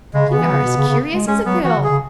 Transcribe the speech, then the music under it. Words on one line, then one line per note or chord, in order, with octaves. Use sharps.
'You are as curious as a girl.
C#3 G#3
C#3
B3
E3
C#3
B2
C#3
C#3
G#3
G#3 C#4
F#3 B3
E3 F#4
C#3
G#4
C#3